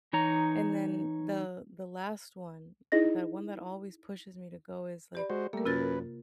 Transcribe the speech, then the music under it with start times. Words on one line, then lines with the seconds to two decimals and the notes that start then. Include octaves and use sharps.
and then the the last one, that one that always pushes me to go is, like,
0.13 E3 D#4 C#5 A#5
2.92 D#4 E4 G#4 D#5 A#6
5.15 G4 D5 B5
5.30 G#3 F#4 C5
5.53 G3 A3 A#3 A#4
5.65 F#2 C3 F4 B4 A6